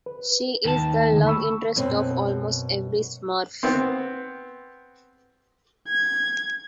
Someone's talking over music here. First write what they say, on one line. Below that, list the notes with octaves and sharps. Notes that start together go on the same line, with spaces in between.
She is the love interest of almost every Smurf.
B4
D#2 A5
D3 A3
B5 C#6 E6
F#2 B2 C4
B3 C4
G#6